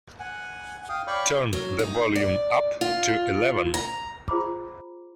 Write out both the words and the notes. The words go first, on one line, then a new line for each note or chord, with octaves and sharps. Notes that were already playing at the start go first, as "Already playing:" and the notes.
Turn the volume up to eleven.
F#5 G#5
F5 G5 D#6
C#5 D5 F5 G5 B5 C#6
F#3
D#4
D5
F4
A#5
F4 G#4 C5 A#5 B5 D6